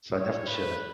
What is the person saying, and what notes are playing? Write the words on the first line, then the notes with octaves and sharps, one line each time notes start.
So, I definitely should.
C#5
B4